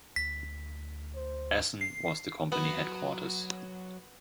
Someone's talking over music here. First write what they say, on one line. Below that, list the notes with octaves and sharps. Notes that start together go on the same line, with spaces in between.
Essen was the company headquarters.
D2 B6
C5
C7
F#3 B3